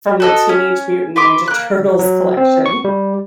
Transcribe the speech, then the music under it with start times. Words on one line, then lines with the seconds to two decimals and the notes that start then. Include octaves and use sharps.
from the Teenage Mutant Ninja Turtles collection.
0.20 F#4 A4 D#5
0.49 C#4
1.16 B4 C6 D6
1.48 A#3 F#6
1.99 F#3
2.37 C4
2.66 C#6
2.85 G3